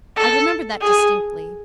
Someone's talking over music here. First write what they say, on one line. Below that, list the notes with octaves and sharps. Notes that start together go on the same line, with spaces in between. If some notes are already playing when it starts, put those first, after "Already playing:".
I remember that distinctly.
A4
G#4